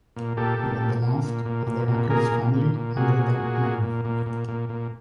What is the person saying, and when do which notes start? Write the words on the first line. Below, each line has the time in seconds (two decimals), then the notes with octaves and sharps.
He was the last of the Ruckers family under that name.
0.16 A#2
0.37 A#2 G4 A4
0.59 A#2
0.81 A#2
1.02 A#2
1.24 A#2
1.46 A#2
1.67 A#2
1.88 A#2
2.10 A#2 G#4 A#4
2.32 A#2
2.54 A#2
2.75 A#2
2.97 A#2 F#4 G#4
3.18 A#2
3.40 A#2
3.61 A#2
3.83 A#2
4.05 A#2
4.26 A#2
4.48 A#2
4.69 A#2